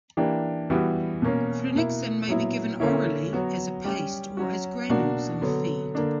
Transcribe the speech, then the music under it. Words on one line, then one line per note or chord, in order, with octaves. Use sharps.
Flunixin may be given orally as a paste or as granules in feed.
E3 A#3 D4 G4
E3 G3 B3 F#4
B2 A#3 C#4
B2 A#3 E4
A#2 F#3 B3 E4
D3 A#3 C#4 E4
F#3 B3 F#4
G3 C#4 G4
F#3 C#4 F#4
B2 A#3 D4 F#4
D3 F#3 B3
D3 A#3 D4